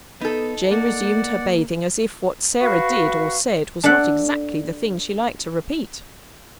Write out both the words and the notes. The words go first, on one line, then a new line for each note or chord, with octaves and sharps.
Jane resumed her bathing, as if what Sarah did or said was not exactly the thing she liked to repeat.
B3 D#4 A4
A#3 D5 F#5
F#4 B4 F5 C#6
D4 A4 E5 F#5